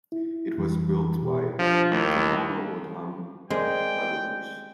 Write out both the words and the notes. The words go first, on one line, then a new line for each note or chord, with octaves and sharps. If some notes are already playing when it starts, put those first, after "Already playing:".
It was built by Tohono O'odham laborers.
E4
F2 E3 G3
B2 G4
F3 D4
D#2 A3 E4
G#3 C4 A#4 D5 G5